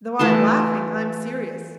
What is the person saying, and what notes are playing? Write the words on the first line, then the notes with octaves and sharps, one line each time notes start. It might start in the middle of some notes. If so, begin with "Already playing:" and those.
Though I am laughing, I am serious.
E3 A3 F4 A5